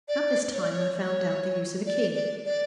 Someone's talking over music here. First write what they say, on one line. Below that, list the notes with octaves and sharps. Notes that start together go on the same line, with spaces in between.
About this time I found out the use of a key.
D5
C#5
D5
C#5
C#5
D5
D5
D5